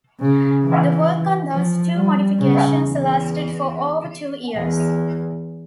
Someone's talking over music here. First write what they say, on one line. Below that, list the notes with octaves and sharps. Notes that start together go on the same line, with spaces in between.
The work on those two modifications lasted for over two years.
C#3
E3
F3
G3
C#3
E2
E2